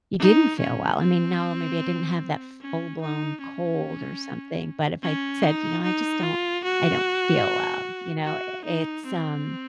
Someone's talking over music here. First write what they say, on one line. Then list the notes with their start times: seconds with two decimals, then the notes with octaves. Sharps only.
you didn't feel well, I mean, no, maybe I didn't have that full blown cold, or something, but if I said, "You know, I just don't I don't feel well," you know? I it's, um
0.19 D#4
0.59 C#4
0.99 C4
2.61 C#4
3.01 D#4
3.41 C#4
5.03 C#4
5.42 D#4
5.83 D#4
6.23 F4
6.64 F#4
8.24 F#4
8.65 D#4
9.06 C4